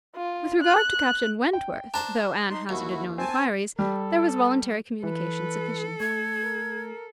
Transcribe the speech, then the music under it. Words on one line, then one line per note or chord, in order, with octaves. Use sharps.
With regard to Captain Wentworth, though Anne hazarded no enquiries, there was voluntary communication sufficient.
F4
F#6
G5
D4 C5 A5 A#5
D#4 C6
D#2 E4 F#4
C4 G#5 A5
G3 A4
E3 A4 B4
A3 G#6
A#4